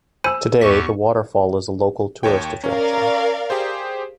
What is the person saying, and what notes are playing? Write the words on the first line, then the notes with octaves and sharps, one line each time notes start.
Today the waterfall is a local tourist attraction.
C5 G#5 B5 E6 D#7
E2 G4 C#6 B6
D#2 C#5 G5
C#4 A#4 D5 F5
G4 G#4 C5